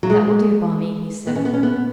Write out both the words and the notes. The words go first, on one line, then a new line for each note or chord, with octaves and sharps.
"That will do Bonni," he said.
F#3
G#3
B3
C#4
B3
C#4
B3